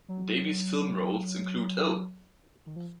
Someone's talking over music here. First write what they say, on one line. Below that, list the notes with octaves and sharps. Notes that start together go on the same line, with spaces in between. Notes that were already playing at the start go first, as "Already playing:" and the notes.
Davies' film roles include Oh!
F#3
D#3
F3